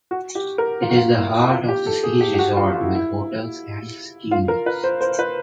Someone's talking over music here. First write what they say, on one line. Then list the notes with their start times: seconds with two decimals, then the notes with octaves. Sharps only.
It is the heart of the ski resort with hotels and ski lifts.
0.11 F#4
0.35 G4
0.58 A#4
0.82 F4
0.89 F#4
0.96 F4
1.17 E4
1.51 F4
1.68 G4
1.86 A4
2.03 G#4
2.21 G4
2.34 G4
2.39 F#4
2.57 F4
2.74 F4
2.81 E4
2.95 E4
4.31 F4
4.48 A#4
4.66 B4
4.84 C5
5.01 C5
5.19 B4